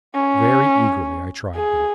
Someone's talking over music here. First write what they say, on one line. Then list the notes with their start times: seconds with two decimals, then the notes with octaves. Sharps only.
Very eagerly I tried them.
0.15 C#4
1.55 G#4